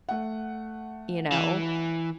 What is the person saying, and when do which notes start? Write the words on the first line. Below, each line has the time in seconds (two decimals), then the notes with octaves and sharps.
You know?
0.09 A3 F#5
1.32 E3